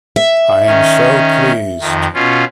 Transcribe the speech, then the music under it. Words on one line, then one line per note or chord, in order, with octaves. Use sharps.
I'm so pleased.
E5
D#3 C#4
F2 D#3
B2 C#4 F4